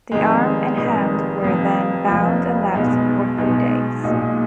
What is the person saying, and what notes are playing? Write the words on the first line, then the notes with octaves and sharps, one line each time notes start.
The arm and hand were then bound and left for three days.
F1 F2 D#3 G#3
F1 F2 D#3 G#3
F1 F2 F3
F1 F2 F3
B1 B2 G#3 B3 D#4
B1 B2 G#3 B3 D#4
B1 A#2 G#3 D#4